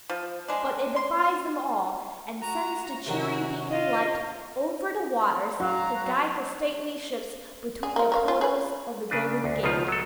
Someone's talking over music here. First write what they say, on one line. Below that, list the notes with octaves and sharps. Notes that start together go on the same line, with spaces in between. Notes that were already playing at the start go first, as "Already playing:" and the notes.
But it defies them all, and sends the cheery beacon light over the waters, to guide the stately ships between the portals of the Golden Gate.
F3
G#3 D4
C6
F#4 A#5
C3 D#3 F#3 C#4 F#4
F4 D#5
F#3 F#4 F5 A#5
G#4
A#3 F4
A#4 C#5 F5
F4
G#4 B4
C#3 D4 B4
D2
C#2 B2 D#3 F3 F4
F#3 A4